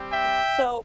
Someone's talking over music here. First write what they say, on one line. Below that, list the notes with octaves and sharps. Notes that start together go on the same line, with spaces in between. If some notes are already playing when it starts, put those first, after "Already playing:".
S so
Already playing: G3 C4 G4
E5 G5